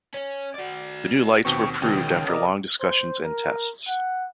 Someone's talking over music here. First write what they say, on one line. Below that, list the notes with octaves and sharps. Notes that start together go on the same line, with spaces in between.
The new lights were approved after long discussions and tests.
C#4
F#4 D5
D#2 B2 C4 G5 C#6
C#2 B2 D#3 G#3 C#4 G5
C3 A#4 D5 D#5
C5
A#4
F#5